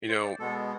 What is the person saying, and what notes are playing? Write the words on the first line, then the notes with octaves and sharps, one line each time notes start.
You know
C5
D5
B2 G#3 B3 A4